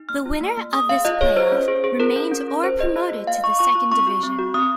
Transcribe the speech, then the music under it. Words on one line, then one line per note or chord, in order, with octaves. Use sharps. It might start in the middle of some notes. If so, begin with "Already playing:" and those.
The winner of this play-off remained or promoted to the second division.
Already playing: D#4
A#3 F6
F4
A#3
A#3
G#4 D#6
A#3 F5
F4 D#5
G#4 C#5
F4 C5
C#4
G#4
G#4
F4 A#4
C#4
C#4
G#4
F4 C5
G#4 D#5
F4
A#3
A#3 F5
F4 C#6
F4 C#6
F4
C4 C#6
F#4
C4
F#4
C4 D#6